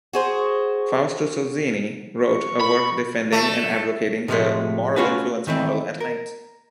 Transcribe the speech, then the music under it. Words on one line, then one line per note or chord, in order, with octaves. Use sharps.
Fausto Sozzini wrote a work defending and advocating the moral influence model at length.
F#4 G#4 C5
C#6
B5
A3
A2 C3 F3 F#3 G#3 A3
A3 C#4 F4 F#4 G#4 B4
D#3 E3 A3 C4
A#4